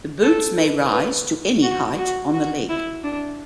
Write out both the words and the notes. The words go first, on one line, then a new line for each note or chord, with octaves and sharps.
The boots may rise to any height on the leg.
A4
B4
B4
F#4
F#4
F#4
E4
D4